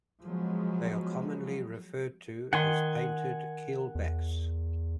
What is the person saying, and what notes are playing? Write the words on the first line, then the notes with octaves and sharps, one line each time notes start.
They are commonly referred to as painted keelbacks.
F3 F#3 G#3 B3
D#3 F#5 G#5 C6
E2